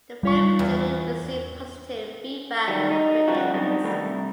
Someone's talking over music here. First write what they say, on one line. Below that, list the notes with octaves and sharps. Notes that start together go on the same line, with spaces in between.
The film generally received positive feedback from the critics.
G3 F4 C#6
E2
D#3 F#3 G3
D#4
C#3 F3 G3 A3 F#4
F#3 G3 B3 C4 D4 D#4
D3 D#3 G3 A3 A#4 B5
C2